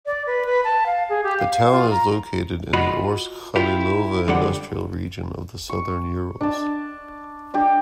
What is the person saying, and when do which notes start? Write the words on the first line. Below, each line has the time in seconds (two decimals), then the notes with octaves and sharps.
The town is located in the Orsk-Khalilovo industrial region of the southern Urals.
0.06 D5
0.27 B4
0.46 B4
0.64 A5
0.86 F5
1.09 G#4
1.24 G4
1.39 F5
1.73 F4
1.90 A#5
2.73 F4 F#4 D#5 B5
3.56 E4 F4 G4
4.28 F2 D3 G3 G#3 G4 F#5
5.69 C#6
6.41 D4 A5
7.54 D4 G4